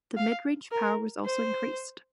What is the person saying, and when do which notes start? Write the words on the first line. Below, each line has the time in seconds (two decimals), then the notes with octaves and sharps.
The midrange power was also increased.
0.17 F5
0.71 A#4
1.26 C5